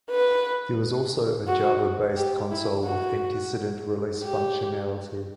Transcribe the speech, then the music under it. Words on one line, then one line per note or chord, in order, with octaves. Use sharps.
There was also a Java-based console with antecedent release functionality.
B4
F#4
G4
E4
F#4
G4